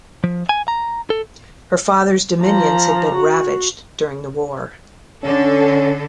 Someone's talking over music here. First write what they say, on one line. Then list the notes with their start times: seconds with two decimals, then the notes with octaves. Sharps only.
Her father's dominions had been ravaged during the war.
0.24 F3
0.49 G#5
0.68 A#5
1.10 A4
2.42 F3 A#5
3.15 F#4
5.24 D3 C#4 A4